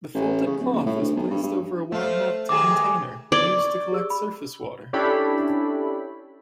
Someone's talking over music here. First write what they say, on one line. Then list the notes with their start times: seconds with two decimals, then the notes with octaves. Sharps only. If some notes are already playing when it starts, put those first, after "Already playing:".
The folded cloth is placed over a wide-mouthed container used to collect surface water.
0.14 A1
0.46 C#3
0.60 D1
0.73 D#1
0.86 A2
1.00 D2
1.15 B1
1.31 G2
1.43 G2
1.92 F3 A3 F4 C5
2.49 D#3 F#3 G4 G#4 D6
3.32 D5 D6 G#6 G7
3.59 C#6
3.92 G4 G#4 E6
4.10 B5
4.93 C#4 D4 E4 G4 A4 B5